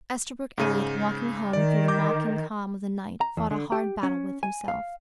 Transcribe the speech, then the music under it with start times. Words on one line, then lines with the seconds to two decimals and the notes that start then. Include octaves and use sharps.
Esterbrook Elliott, walking home through the mocking calm of the night, fought a hard battle with himself.
0.58 G#2 C#3 D#7
1.53 D#3 D5
1.88 D6 G6
3.21 A#5
3.37 E2
3.51 D3
3.72 G4
4.03 C#4
4.43 G#5
4.68 F5